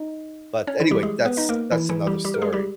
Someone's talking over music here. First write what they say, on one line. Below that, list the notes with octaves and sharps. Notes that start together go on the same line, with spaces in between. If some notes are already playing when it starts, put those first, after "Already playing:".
But, anyway, that's that's another story.
Already playing: D#4 D#5
C#4 C#5
E3 E4
G3 G4
G#3 G#4
B3 B4
D#4 D#5
A#3 A#4
E3 E4
E3 E4
G3 G4
G3 G4
A#4
G#3 G#4
G3 G4